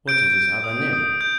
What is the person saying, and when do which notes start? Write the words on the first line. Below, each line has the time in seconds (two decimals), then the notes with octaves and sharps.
"What is his other name?"
0.08 G6 D7
0.36 G6
0.64 D#6
0.93 D#6
1.21 G6